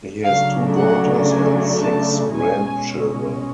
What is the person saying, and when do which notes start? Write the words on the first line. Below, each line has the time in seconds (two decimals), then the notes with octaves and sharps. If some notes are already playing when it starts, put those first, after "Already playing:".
He has two daughters and six grandchildren.
0.23 C#3 F#3 A3 D4 F5
0.76 F#5
1.29 G#5
1.82 A5
2.35 B2 G#3 C#4 G#5